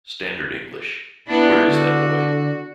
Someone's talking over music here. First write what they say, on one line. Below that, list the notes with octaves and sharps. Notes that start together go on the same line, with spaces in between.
Standard English: Where is that boy?
B3 D4 E4
D3 F#4